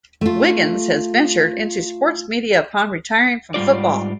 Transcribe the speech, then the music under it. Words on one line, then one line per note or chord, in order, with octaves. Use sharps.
Wiggins has ventured into sports media upon retiring from football.
A3 F4
G#2 G3 F4 D5